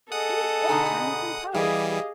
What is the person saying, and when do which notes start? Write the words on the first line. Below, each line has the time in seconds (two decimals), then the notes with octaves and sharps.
'In his off time, he composed.
0.12 G#4 A4 D#5 F#5 D#6
0.69 B2 D3 D#4
1.54 E3 G3 G4 G#4 D#5 F5